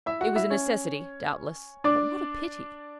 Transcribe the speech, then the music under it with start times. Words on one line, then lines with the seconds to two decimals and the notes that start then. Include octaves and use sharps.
It was a necessity, doubtless; but what a pity!
0.06 E4 E5
0.21 F#4 F#5
0.36 E4 E5
0.50 C#4 C#5
1.84 D4 D5